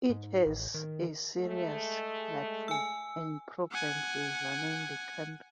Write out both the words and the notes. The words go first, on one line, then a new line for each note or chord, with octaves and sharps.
It has a serious platform and program for running the country.
G#2
A1
D#3
G#3 A3
G#5 E6
F#5 G#5